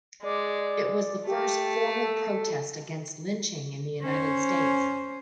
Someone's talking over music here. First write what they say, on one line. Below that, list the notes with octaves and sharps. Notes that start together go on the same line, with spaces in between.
It was the first formal protest against lynching in the United States.
G#3 D5
A3 G4
A4
C#4 C5